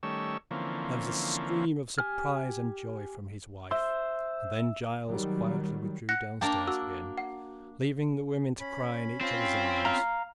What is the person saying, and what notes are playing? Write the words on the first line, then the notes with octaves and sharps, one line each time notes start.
There was a scream of surprise and joy from his wife, and then Giles quietly withdrew downstairs again, leaving the women to cry in each other's arms.
D#3 G3 A3 C#4 C#5 E6
D3 E3 F3 A#3 C4 C#4
G4 G#5 F6
C5 E5 C6
D#3 F#3 G3
F#5 F#6 A#6 C#7
A#3 D4 A#4 G5 A5
F#4 E6
F#5
C#4 B5
C4 C#4 F4 B5
F5 A#5